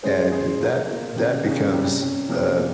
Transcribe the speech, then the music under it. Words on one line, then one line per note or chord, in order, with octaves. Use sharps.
and that that becomes, uh,
G#3 C#4 G#4 C5
G#3 C#4 G#4 C5
A#3 F4 A#4
A#3 F4 A#4
C3 D#3 A#3 C#4 G#4
C3 D#3 A#3 C#4 G#4
C3 G3 C#4
C3 G3 C#4
C3 F3 A#3 C#4 G#4
C3 F3 A#3